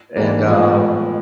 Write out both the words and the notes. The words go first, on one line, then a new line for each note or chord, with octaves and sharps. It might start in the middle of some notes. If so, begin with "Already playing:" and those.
And, um
E3 G3 A#3 D4
A2 F3 G#3 B3